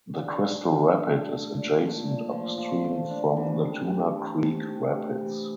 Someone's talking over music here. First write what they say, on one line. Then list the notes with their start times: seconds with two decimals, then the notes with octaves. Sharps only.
The Crystal Rapid is adjacent upstream from the Tuna Creek Rapids.
0.20 D4
0.47 A3
0.73 D4
1.00 D4
1.26 A3
1.53 A#2
1.79 A3
2.05 A#2
2.32 F3
2.58 F3
2.85 A3
3.10 D4
3.37 E3
3.63 C3
3.90 A3
4.16 C3
4.42 A3
4.69 C3
4.95 C3
5.21 E3